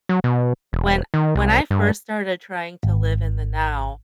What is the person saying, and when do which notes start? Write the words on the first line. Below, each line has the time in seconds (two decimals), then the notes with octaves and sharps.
when when I first started trying to live in the now,
0.09 F#3
0.24 B2
0.73 E1
1.14 D#3
1.35 C2
1.71 G2
2.83 G#1